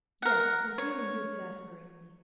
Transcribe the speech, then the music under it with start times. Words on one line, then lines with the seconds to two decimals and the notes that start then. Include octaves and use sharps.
"Yes, for really you exasperate me."
0.22 A#4 F#5
0.78 C#5